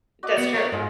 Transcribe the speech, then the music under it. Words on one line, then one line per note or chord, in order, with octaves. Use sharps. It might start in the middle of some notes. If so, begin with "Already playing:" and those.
That's true.
F#4 D5 D#5
B3
A#4 C#5
G#2 F4 G#4 D#5